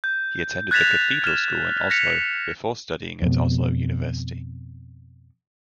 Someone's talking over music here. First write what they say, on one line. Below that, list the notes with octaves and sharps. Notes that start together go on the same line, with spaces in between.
He attended the Cathedral School in Oslo before studying at Oslo University.
G6
F#6 G#6 A6 B6 E7 F7
F6 E7
A#6 B6 C#7 F7
F2 B2